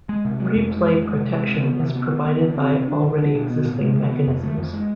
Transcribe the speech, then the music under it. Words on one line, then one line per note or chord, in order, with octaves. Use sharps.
Replay protection is provided by already existing mechanisms.
G#3
C3
G#3
F2
G#3
F2
G#3
C3
G#3
C3
B3
C3
B3
D3
B3
D3
C4
C3
D4
D3
D4
B2
B3
A2
G#3
C3
B3
F2
A3
F2
G#3